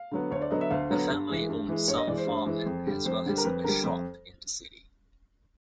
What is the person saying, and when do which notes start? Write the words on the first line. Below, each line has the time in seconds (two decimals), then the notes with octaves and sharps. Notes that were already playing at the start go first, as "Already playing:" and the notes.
The family owned some farmland as well as a shop in the city.
Already playing: F5
0.11 D3 F#3 B3
0.31 D2 C#5
0.41 D5
0.50 D3 F#3 B3 D#5
0.61 E5
0.70 D2 F5
0.90 D3 F#3 B3
1.10 G2
1.29 E3 G#3
1.49 G2
1.69 E3 G#3
1.88 G2 C#5
1.98 D#5
2.08 E3 D5
2.11 G#3
2.17 C5
2.27 G2
2.46 E3 G#3
2.66 F2
2.86 D3 G3
3.05 F2 C5
3.26 D3 G3
3.38 A#4
3.44 F2 B4
3.64 D3 G3 A#4
3.84 F2